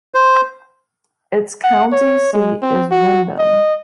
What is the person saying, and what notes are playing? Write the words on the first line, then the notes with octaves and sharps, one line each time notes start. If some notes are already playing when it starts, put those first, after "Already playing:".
Its county seat is Windom.
C5
F#5
C#5
G#3
C4
F#4
D#5